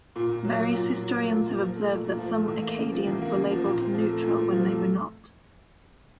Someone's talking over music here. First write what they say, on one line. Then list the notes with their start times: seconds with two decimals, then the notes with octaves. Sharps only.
Various historians have observed that some Acadians were labelled "neutral" when they were not.
0.16 A#2
0.30 A#2
0.44 F#3
0.58 A#3
0.73 A#2
0.89 A#2
1.03 F#3
1.17 A#3
1.31 A#2
1.47 A#2
1.61 F3
1.75 A3
1.91 A#2
2.04 A#2
2.19 F3
2.34 A3
2.48 E2
2.62 A#3
2.77 C#3
2.92 F3
3.07 E2
3.22 A#3
3.36 C#3
3.51 F3
3.65 A#2
3.80 C4
3.94 F3
4.09 A3
4.23 A#2
4.37 C4
4.52 F3
4.68 A3